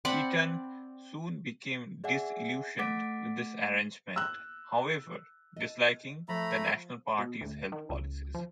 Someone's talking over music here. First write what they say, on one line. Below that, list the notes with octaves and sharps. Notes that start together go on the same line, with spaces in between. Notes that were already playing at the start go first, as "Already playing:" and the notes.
Kirton soon became disillusioned with this arrangement, however, disliking the National Party's health policies.
C4 D5 F#5 B5
G#4 D5 E5 F#5 G#5
A3 F#5 D6 A6 B6 D7
E6 F#6
D#5 A5
F3 A3 A#5 B5
B2
D2
D#3
C#2
F3